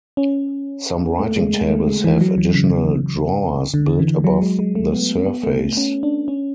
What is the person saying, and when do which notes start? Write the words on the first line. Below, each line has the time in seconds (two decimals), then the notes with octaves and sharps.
Some writing tables have additional drawers built above the surface.
0.17 C#4
1.19 A3
1.36 G#3
1.54 G#3
1.70 A3
1.87 G#3
2.04 E3
2.21 F#3
2.38 E3
2.55 C#3
3.74 D3
3.99 E3
4.24 F#3
4.42 G#3
4.59 G#3
4.75 A3
4.93 B3
5.26 B3
5.43 A3
5.77 C#4
6.03 D4
6.28 C#4